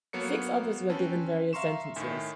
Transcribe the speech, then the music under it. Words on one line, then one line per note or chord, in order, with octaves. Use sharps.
Six others were given various sentences.
F#3 A#3 B3 A4 C#5 C#7
C4 C#4 B4 A5
E5 F5 A#5 C6 C#6 E7
A2 D#3 E5 G#5